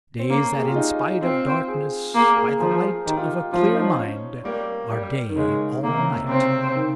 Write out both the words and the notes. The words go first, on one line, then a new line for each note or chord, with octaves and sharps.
Days, that in spite Of darkness, by the light Of a clear mind are day all night.
C4
A#3 C#4
G#4
G4
F4
D#4
C4 F4
G#4
A#3 G#4
A#4
G#4
F3 G#4
D#3 G4
F4
G4
F3 F4
C#4
D#4
D#4
C#4
G3 A#3
G3
D#3
C#3 G#3
C3 A#3
C#3
C3
C#3 C4
D#3